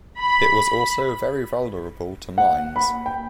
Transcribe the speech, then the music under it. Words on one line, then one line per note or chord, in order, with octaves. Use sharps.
It was also very vulnerable to mines.
B5
F#5
B5
G5